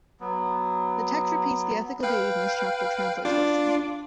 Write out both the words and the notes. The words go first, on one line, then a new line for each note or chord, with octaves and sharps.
The text repeats the ethical duties in this chapter, translates Wilson.
F#3 B3
B4 F5 G5
D4 F4 D6